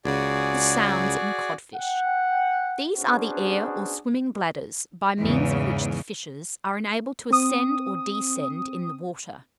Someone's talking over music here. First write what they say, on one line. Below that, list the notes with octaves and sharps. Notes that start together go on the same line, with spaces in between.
THE SOUNDS IN CODFISH.--These are the air or swimming bladders, by means of which the fishes are enabled to ascend or descend in the water.
C#2 C#3 F#4 G#4 D5
F#5 G5
B3 C#4 D4 F#4 G#4 C5
E2 G#2 C#3
C4 D#6